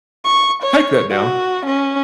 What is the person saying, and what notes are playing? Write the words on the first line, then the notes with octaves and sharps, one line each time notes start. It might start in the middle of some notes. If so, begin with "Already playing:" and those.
take that down.
C#6
C#5
F#4
C#4